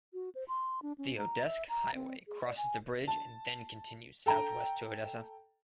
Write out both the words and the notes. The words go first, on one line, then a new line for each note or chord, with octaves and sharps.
The Odeske Highway crosses the bridge and then continues south-west to Odessa.
F#4
C5
C6
D4
C#4
A#5
E5
A#5
C4
G#4
D5
G#5
A5
A4 G5 A#5